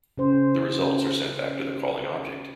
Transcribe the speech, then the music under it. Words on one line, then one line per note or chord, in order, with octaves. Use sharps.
The results are sent back to the calling object.
C#3 C#4 C5